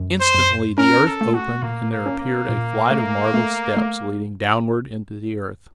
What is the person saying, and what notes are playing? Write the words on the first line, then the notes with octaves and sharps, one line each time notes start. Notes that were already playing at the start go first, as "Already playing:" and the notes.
Instantly the earth opened, and there appeared a flight of marble steps leading downward into the earth.
Already playing: F#2
C5
F#2
C#4 A#4
A4
A3
F#4
A#2 A#3
A#3
C#4
A#3
A#2
A3
A3
A3